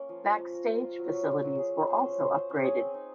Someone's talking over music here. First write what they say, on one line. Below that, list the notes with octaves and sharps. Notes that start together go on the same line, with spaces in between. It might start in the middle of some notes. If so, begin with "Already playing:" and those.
Backstage facilities were also upgraded.
Already playing: A#3 C#4
F3
F3
A#3
A#4
F4
F4
F#3
F#3
F4
F#3
G#4
C#4
C5
C#4
C5
C5
C#4
G#4
C4
D#4